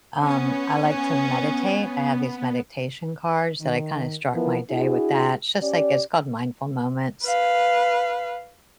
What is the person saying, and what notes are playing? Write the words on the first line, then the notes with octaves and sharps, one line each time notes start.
Um, I like to meditate, I have these meditation cards that I kinda start my day with that, it's just, like it's called Mindful Moments,
B3 C#4
D#3
E3 F3 B3 E4 A#4
D4 E4 F#4 G#4
C#4 G4 D5
B4 F5